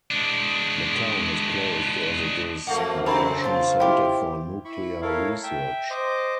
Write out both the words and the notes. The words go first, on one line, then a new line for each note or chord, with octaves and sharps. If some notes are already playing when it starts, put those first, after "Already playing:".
The town is closed as it is the Russian center for nuclear research.
G#3 D4
F#2 F3 A3 A#3 F#5
C#3 C4 A4 C#5 G#5 A#5 B5
F4 C5 A5
E4 G4 G5
E4 B5 C#6
E4 A4 A#4 C#5 F5
E5 G5
C5 D#5 D6